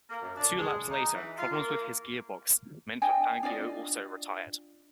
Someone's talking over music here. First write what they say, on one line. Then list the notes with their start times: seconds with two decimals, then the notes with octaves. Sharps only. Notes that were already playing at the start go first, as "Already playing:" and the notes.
Two laps later, problems with his gearbox meant that Fangio also retired.
0.09 A#3
0.22 F#2
0.37 D4
0.56 G#3
0.88 D#4
1.12 E3
1.38 F4
1.52 A#3
3.02 D4 D#5 G5 G#5
3.43 D4 F4 D5 D#5